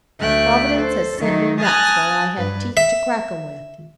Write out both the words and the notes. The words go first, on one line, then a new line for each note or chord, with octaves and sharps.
Providence has sent me nuts while I have teeth to crack 'em with.
D2 A3 E5 G5 F#6
A4 C5
D#3 F#3 A3 D#4
G#5 A5 D#6 F6 F#6 A#6
G2 B4
E5